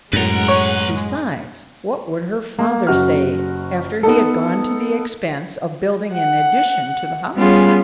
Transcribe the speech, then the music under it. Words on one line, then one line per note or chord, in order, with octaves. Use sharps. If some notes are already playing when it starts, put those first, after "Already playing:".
Besides, what would her father say, after he had gone to the expense of building an addition to the house?
F#2 A2 G#3 B4 F#5 A#5
C#5
G#3
A#3
F#1 F#4 F6
B3 D#4 A4
F#5
G3 B3 C#4 F4 G#4